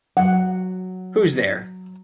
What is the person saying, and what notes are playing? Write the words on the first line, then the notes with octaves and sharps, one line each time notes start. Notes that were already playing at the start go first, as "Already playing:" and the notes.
Who’s there?
F#3 F#4 F#5